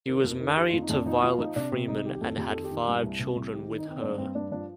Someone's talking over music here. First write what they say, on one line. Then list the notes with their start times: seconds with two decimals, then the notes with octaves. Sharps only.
He was married to Violet Freeman and had five children with her.
0.07 D#3 A#4
0.23 F2 A#4
0.40 D#3 A#4
0.56 D#3 G4
0.68 F4
0.73 F2
0.82 D#4
0.90 F2 D4
1.06 F3 D#4
1.22 F3 F4
1.38 F3 D#4
1.56 C3 D4
1.72 C3 C4
1.88 C2 D#4
2.05 D#3 G4
2.15 G4
2.21 F2 A4
2.38 F2 G4
2.50 D#3 A4
2.64 G4
2.70 D#3
2.87 G2
3.03 C2
3.19 C3
3.36 C2
3.53 D#3 G4
3.70 D#3
3.78 D#4
3.86 D#3 C4
4.02 G2 D4
4.18 G2 C4
4.35 G2 D4
4.52 F3 D4